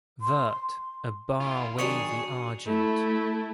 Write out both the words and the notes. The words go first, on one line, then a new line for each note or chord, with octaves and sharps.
Vert, a Bar wavy Argent.
C6
E4 F4
D#3 F#3 D4 G#4 C#6 C#7 F7
A3 E4